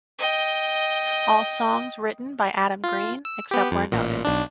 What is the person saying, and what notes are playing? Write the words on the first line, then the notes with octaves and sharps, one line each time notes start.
All songs written by Adam Green, except where noted.
D#5 G5
F4
E6
B3 G4
F2
A1 A#2
B1 D4